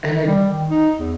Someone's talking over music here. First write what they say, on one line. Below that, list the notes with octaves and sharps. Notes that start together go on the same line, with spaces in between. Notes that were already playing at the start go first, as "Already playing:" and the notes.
And I
G3
D#3
D#4
E2